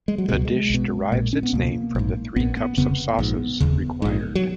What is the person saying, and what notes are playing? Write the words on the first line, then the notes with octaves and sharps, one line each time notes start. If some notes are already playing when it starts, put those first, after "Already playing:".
The dish derives its name from the three cups of sauces required.
G#3
F#3
C#2 B2 F#3 G#3
G#3
B1 B2
A#1 A#2
C#4
B3
C#2 B2 A#3
A#1 G#2
A#1 A#2 B3
B3
F1 F2 C#3 B3
A#1 G#2
F1 D#2 C#3
A#1 G#2
F#3